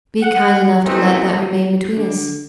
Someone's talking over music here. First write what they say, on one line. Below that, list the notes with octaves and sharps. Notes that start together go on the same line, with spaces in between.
Be kind enough to let that remain between us.
F#5
C#3 E3 A3 A#3 C4 D#4
D3